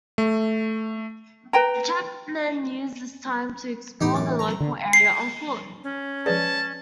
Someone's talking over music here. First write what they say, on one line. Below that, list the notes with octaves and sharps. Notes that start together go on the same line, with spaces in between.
Chapman used this time to explore the local area on foot.
A3
B4 G5 A#5
A2 E3 D#4 G4
F#2 D6
A#5
D3
C7
C#4
F3 G#3 G#4 B4 D5 A5